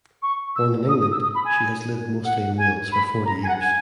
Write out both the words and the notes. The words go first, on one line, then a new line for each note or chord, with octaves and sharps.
Born in England, she has lived mostly in Wales for forty years.
C#6
E6
D#6
D#6
E6
D#6
B5
G#5
F#5
G#5
B5
A#5
G#5
F#5
G#5